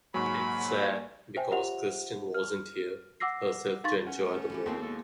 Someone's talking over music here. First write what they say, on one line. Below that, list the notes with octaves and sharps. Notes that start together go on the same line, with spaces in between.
It's sad because Kristen wasn't here herself to enjoy the moment.
G#2 F#3 A#3 G#5 B5 C#6
C5 E5 G5 G#5
F4 G4 C5 E5 F#5 F7
F6
F#5 D6 E6 A#6 C7
D#4 F5 C6 C#6 A6
C#4 F#5
A3
E3 F#4 G4
D#2 B2 G#3 A#3 C4 E4
A4